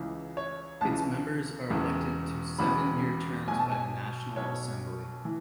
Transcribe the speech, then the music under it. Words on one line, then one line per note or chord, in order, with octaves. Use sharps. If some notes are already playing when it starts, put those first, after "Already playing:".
Its members are elected to seven-year terms by the National Assembly.
Already playing: C#2 C#3 E3
C#5
C#2 C#3 E3 A5
E1 E2 C#3
E1 E2 C#3 B5
B1 B2 G#5
A5
G#5
B1 B2 C#5
E3